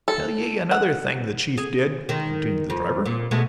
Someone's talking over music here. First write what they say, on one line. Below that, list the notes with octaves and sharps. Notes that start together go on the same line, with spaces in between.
"Tell ye another thing the chief did," continued the driver.
A4
F#5
G#4
D#3 G#3
F2
A#2
B2 G#3 A3